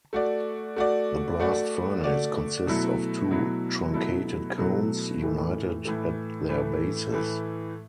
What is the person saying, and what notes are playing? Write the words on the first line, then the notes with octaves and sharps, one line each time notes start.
The blast furnace consists of two truncated cones, united at their bases.
A3 F#4 D5
A3 F#4 D5
A3 F#4 D5
A3 F#4 D5
B2 F#3 A3 E4 A4
B2 F#3 A3 E4 A4
B2 F#3 A3 E4 A4
B2 F#3 A3 E4 A4
A2 E3 A3
A2 E3 A3
A2 E3 A3
A2 E3 A3